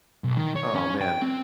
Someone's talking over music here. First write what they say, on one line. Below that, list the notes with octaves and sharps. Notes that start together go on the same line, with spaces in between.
Aw, man.
B1
D#3
C#5
C#4
G5
C4